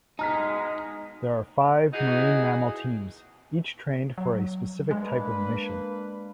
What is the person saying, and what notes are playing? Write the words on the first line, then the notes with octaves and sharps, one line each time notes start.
There are five marine mammal teams, each trained for a specific type of mission.
B2 G#3 D#4 A#5 F6 B6
E3 D#4 F#4 G#4
F#3
G#3 A#3 D4 B4